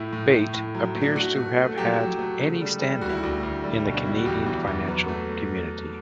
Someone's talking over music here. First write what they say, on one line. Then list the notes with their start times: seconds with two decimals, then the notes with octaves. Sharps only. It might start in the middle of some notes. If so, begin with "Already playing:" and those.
Bate, appears to have had any standing in the Canadian financial community.
Already playing: A2 E4
0.13 A2
0.33 A2
0.54 A2
0.75 F#3
0.95 A3
1.01 D4
1.08 E4
1.15 A3 F#4
1.36 A3
1.57 A3
1.69 A4
1.78 F#3 G4
1.99 F#3
2.19 A3
2.40 C#3
2.61 G3
2.81 G3
3.01 D2 F#4
3.09 E4
3.17 F#4
3.23 D2
3.43 D2
3.64 G3
3.85 B2
3.94 D4
4.05 G3 E4
4.15 F#4
4.26 E2 G4
4.46 E2
4.67 E2
4.88 F#3 B4
5.08 A3